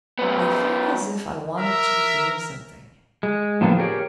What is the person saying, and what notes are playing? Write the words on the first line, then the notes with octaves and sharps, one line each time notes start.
I feel as if I wanted to be doing something.
F#2 B3
A#4 E5
G#3
A2 D3 F3 A#3 B3 D4
G4 G#4 A#4 C#5 D5